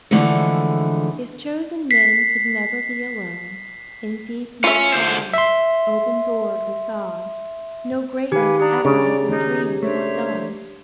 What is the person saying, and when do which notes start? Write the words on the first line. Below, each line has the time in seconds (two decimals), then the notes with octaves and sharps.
If chosen men could never be alone, In deep mid-silence, open-doored with God No greatness ever had been dreamed or done.
0.11 D3 E3 F3 G#3 A3
1.91 B6 C7
4.64 C#4 F4 E5
4.93 D3 C5
5.33 E5 C6
8.32 D#3 G4 B4 F5 G#5
8.60 D4 G4 A#5 D#6
8.85 C#3 D4 D5
9.28 D#2 C#4 D#4
9.83 A3 D4 C5 C#5 E5